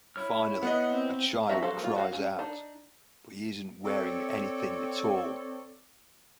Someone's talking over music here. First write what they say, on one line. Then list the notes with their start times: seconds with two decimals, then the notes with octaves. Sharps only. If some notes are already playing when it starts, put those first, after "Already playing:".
Finally, a child cries out, But he isn't wearing anything at all!
0.16 E4 C#5 F6
0.63 B3 D#5 F#5
0.92 C4
1.49 F3 C4 F#4 E5 A#5
1.63 F#3 F#4 A4 C5 F5
1.80 A#3 F4
1.96 F#4 C5 F5
2.13 C#4
2.39 D4 D#4 A5
3.85 C4 A4 C#5 D5